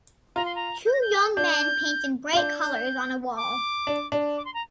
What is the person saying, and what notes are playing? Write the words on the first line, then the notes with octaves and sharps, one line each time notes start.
Two young men paint in bright colors on a wall.
F4 A#5
C6
A#5
G6
A#6
G6
D4 G6
F4
D4 G6
G6
D6
D4
D4
D6
C6
A#5